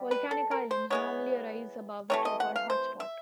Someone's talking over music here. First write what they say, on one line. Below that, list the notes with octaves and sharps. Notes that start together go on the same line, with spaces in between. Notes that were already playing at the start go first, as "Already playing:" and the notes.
Volcanic islands normally arise above a so-called hotspot.
Already playing: B2 G3
B4
A4
A#4
C5
E3 G#3 B3 C#5
C3 E3 A3 C#5
D#5
F#5
F5
C5
E5